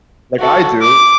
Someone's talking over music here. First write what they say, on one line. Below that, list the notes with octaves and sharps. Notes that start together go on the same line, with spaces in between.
Like I do.
F#4 A4
D6